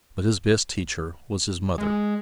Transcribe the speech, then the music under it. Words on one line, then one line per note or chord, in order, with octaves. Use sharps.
But his best teacher was his mother.
G#3